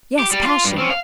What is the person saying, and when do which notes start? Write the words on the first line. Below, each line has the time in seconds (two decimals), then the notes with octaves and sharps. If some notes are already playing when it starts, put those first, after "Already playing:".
Yes, passion.
0.19 G4
0.31 G3
0.45 F4
0.64 G2
0.78 C4 C#4
0.90 F5